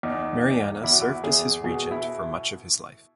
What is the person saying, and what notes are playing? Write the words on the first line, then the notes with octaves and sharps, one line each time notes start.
Mariana served as his regent for much of his life.
E2 D#4
E2
E2 E4
F#4
E4
E2 G#4
B2 G#4
E4